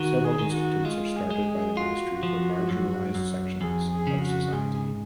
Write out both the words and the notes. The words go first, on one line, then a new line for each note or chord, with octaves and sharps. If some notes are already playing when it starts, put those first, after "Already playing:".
Several institutes are started by the ministry for marginalized sections of society.
Already playing: D#3 F#4
G#4
D#3
F#4
G#3 F4
G#4
G#3
G#4
F4 F#4
F3
F#2
F#2
F2 G#4
G#4
C#3
F#4
G#2 G#4